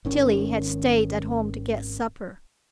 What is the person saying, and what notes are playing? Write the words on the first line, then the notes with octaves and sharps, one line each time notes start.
Tillie had stayed at home to get supper.
G#1 D#3 C#4